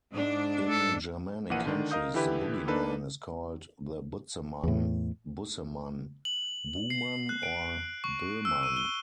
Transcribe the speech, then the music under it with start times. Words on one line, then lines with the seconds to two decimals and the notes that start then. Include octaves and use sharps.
In Germanic countries, the bogeyman is called the "butzemann", "busseman", "buhman", or "boeman".
0.13 G#2 D4
0.69 A4
1.50 A#1 E3 A#3 F#5 D#7
1.65 D3 D#3 D4
1.91 A#4 D#5 F5 D#6 G6
2.14 D3 E3 E4 G4 B4
2.68 A#3 D4 D#4 A4 B4
4.63 E2 A2
6.25 F#7
6.90 C7
7.29 F#6
7.43 D7
8.04 C#6
8.45 E6
8.63 D#7
8.77 G7